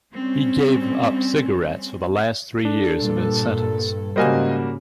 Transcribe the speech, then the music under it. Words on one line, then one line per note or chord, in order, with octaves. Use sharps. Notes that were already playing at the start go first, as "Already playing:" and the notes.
He gave up cigarettes for the last three years of his sentence.
G3 C4 C#4
D4 A4
G2 A#2
G#2 C#3 G3 A#3 F#4 C5 D#5 G#5